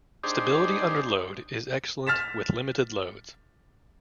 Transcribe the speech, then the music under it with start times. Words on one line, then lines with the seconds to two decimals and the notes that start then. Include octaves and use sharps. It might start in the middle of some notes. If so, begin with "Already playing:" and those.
Stability under load is excellent with limited loads.
0.24 D4 D#4 G4 G#4 C5
2.07 F6 A6 B6 E7